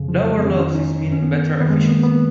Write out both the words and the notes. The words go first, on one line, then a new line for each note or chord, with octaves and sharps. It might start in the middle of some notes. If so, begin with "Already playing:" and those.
Lower losses mean better efficiency.
Already playing: F2 C#3
F3
F#3
G#3
B3
F2 D#3 C#4
C#4
D#4
F#2 D#3
C#4
B3
F#2 D#3 B3
G#3
A#3
B3
B3